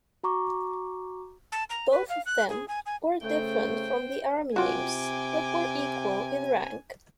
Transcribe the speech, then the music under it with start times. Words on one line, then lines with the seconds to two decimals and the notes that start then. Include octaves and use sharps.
Both of them were different from the army names, but were equal in rank.
0.24 F#4 A#5 C#6 D6
1.52 A5
1.70 A#5
1.91 B4
2.09 F5
2.26 F#6
2.49 G#4
2.68 G#5
2.86 G#5
3.23 C#3 A3 C5 G5
4.56 C3 F4 F#4 G5 G#5 D6